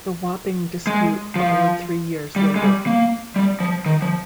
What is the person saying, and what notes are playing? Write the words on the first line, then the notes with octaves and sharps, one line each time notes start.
The Wapping dispute followed three years later.
G#3
F3
G3
G#3
G3
A#3
G3
F3
D#3
F3